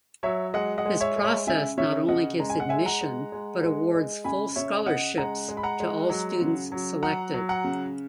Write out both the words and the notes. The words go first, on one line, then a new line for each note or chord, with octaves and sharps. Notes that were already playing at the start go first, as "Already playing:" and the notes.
This process not only gives admission but awards full scholarships to all students selected.
F#3 C#5 E5
G#3 D#5 F#5
D#5 F#5
G#3
C#5 E5
G#3
C#5 E5
C#3 E5 G#5
C#3 C#5 E5
C#3 D#5 F#5
G#3 A#5
G#5
F#5
G#3 E5 G#5
F#5 A#5
G#3
G#3
G#3
G#3
C#3 G#5 B5
C#3 C#5 E5
C#3 D#5 F#5
G#3 F#5 A#5
G#3
B5
F#5 A#5
G#3
F#3
C#3
F#3
F#3 F#5 A#5
F#3
F#5 A#5
C#3